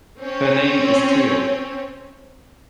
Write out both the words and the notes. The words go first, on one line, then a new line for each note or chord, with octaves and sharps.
Her name is Teo.
C4 C#4 C#5